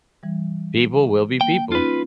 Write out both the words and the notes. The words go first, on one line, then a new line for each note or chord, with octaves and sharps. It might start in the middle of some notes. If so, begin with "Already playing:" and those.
People will be people."
E3 G3
A#3 G5
C#4 D#4 F4 B4